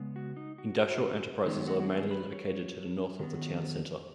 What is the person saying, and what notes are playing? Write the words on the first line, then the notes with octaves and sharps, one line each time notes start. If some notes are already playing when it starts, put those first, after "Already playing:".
Industrial enterprises are mainly located to the north of the town center.
Already playing: C#3 G#3 B3
F#4
D#4
F#4
D#3 G#3 B3 D#4
F#4
F#4
G#4
B4
C#5
D#3 F#3 B3